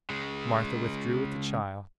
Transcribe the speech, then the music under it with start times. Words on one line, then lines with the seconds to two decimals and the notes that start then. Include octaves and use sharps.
Martha withdrew with the child.
0.10 C#3 G#3